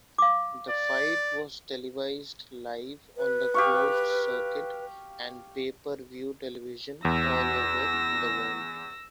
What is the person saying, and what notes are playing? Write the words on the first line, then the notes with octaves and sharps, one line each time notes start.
The fight was televised live on closed-circuit and pay-per-view television all over the world.
F5 D6
D5
B4
G4 F5 C#6
E2 E6 A#6